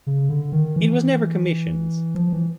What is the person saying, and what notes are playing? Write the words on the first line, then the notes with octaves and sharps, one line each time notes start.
It was never commissioned.
C#3
D3
D#3
E3
F3
E3